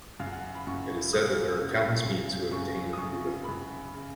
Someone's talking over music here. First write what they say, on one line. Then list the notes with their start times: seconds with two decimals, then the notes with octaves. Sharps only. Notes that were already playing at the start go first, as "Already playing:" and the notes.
It is said that there are countless beings who have attained buddhahood.
0.20 F#2 C#3 F5
0.32 F#5
0.55 B5
0.67 F#2 C#3 C#6
1.13 F#2 C#3 D#6
1.59 F#2 C#3
2.05 F#2 C#3
2.51 F#2 C#3 C#6
2.93 D#6
2.98 F#2 C#3 C#6
3.44 F#2 C#3 B5
3.94 C#3